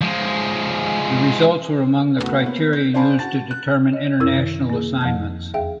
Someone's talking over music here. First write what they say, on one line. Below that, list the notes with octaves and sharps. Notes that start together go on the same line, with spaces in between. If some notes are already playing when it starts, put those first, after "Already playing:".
The results were among the criteria used to determine international assignments.
F3 G#3
A3 B3 F#4
A#3 B3
G6
D4 C5 F5 G#5 A5 B5
F#4 A5 A6
F#6
C#5 D#5
F#2 C3 E4 A#4 E6 G#6
D#3
A#3 G#4
F2 F3 C4 A5 G#6
E2 G#4 E5 F5 G5